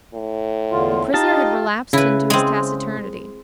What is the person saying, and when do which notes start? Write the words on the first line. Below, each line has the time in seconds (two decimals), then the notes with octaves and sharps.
The prisoner had relapsed into his taciturnity.
0.14 A2
0.72 E2 D3 F4
1.14 D#4 F4 G4 D#5 A5
1.93 C#3 E4 B4
2.30 G#3 C4